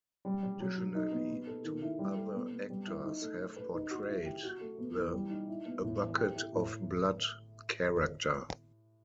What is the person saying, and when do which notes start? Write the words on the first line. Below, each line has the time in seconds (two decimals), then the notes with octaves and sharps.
Additionally, two other actors have portrayed the "A Bucket of Blood" character.
0.25 G3
0.43 G3
0.60 F#3
0.78 F#3
0.95 D#4
1.12 B3
1.30 B3
1.47 A4
1.65 D#3
1.82 E4
1.99 G3
2.16 A4
2.34 B3
2.52 B3
2.70 G3
2.86 E4
3.04 D#4
3.22 A3
3.39 A3
3.56 B4
3.74 D#4
3.91 F#4
4.08 E4
4.26 G4
4.43 F#4
4.61 A3
4.79 B3
4.96 E3
5.13 G3
5.30 D#4
5.48 E4
5.65 B3
5.83 A2
6.00 E3
6.18 G4
6.35 E4
6.53 A2